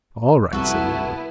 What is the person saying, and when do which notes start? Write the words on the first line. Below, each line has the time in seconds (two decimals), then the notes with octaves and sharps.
"All right," said Lulu.
0.53 C2 B3 E4 F#4 A4